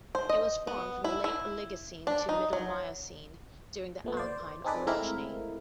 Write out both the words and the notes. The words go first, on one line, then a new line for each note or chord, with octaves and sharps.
It was formed from the late Oligocene to middle Miocene, during the Alpine orogeny.
C5
D#5
B3
E4
E4
D4
D#4
F#3
A#2 A3 B3
C5 D5
C4 D#4 G#4 A4 B4 D5
G#3 A3 C4 E4 A#4 F5